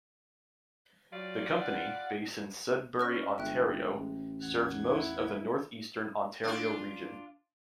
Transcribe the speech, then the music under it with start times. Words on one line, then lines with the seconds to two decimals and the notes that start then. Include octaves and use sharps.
The company, based in Sudbury, Ontario, served most of the Northeastern Ontario region.
1.13 F#3 G3 F4 D5
1.61 F#5
2.99 C#4 B4 D5 C#6 F6 A#6
3.38 G1 G#3 E5 G5 F#6
3.95 A1
4.41 E2 F#5 G#6
4.88 E4
6.43 D4 F4